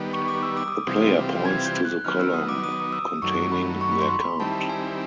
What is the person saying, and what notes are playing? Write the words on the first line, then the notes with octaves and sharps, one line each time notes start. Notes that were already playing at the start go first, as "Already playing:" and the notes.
The player points to the column containing their card.
Already playing: D#3 G3 B3
C#6
D6
E6
D6
D#6
D6
C3 E3 G3 C4 F4
G#6
G6
F#6
D#3 F#3 B3 F6
E6
D#6
D6
D#6
D6
D#6
E6
F#2 D#3 F#3 A3 C#6
B5
C#6
B5
C6
B5
D#3 G3 C4 E4 A5
G#5